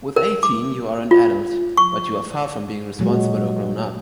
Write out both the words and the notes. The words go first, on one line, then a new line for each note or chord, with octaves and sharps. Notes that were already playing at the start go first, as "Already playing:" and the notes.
With eighteen you are an adult, but you are far from being responsible or grown up.
A#4
D6
F4
C#6
A#2 F#3 G#3